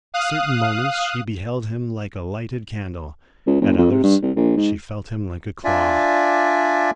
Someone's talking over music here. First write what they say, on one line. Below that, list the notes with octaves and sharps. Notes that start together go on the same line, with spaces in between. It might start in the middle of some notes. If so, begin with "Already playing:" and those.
At certain moments she beheld him like a lighted candle; at others she felt him like a claw.
F5 D#6 F#6
C#2
F#1
F2
C3
G2
C2
A#1
G#2
D4 F4 D5 E5 G#5